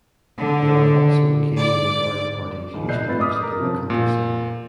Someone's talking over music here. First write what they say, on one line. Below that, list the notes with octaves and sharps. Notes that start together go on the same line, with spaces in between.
There are also occasional garden parties usually hosted in the country somewhere.
D3
D5
C#2 D#3 F3
D#5 E5 F#6 G6 C7
A2 C4 F4 B4 E5 A6
D#5 D6 D#6 F6 B6
A#4
C3 F3 C#4
A#2